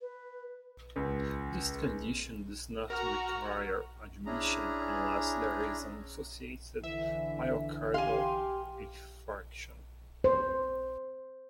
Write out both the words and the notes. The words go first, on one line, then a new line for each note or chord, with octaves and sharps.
This condition does not require admission unless there is an associated myocardial infarction.
B4
C#2
F#4 A#4 A#5 F6
C#4 D4 E4 G#4 A#5
D3 E3 E5
G4 F5 G#5 C6
C5